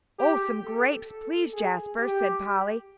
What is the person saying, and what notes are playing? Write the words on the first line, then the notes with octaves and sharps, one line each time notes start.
"Oh, some grapes, please, Jasper," said Polly.
G4
A4
A4
G#4
G4